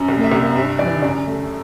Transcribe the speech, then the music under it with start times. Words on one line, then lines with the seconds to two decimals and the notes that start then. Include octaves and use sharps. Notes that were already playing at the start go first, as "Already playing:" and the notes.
You're welcome.
Already playing: F#2
0.09 C2
0.24 E5
0.32 C2
0.56 G2 E5
0.79 E3 D5
1.02 F#2 D5
1.27 A3